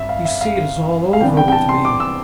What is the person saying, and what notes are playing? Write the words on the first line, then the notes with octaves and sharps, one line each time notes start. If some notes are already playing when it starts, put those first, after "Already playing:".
You see it is all over with me.
Already playing: G2 C4 E5
F5
E5
F5
F5
C2 C3 E3 B3 D4 G5
G5
G5
A5
C6
D6
E6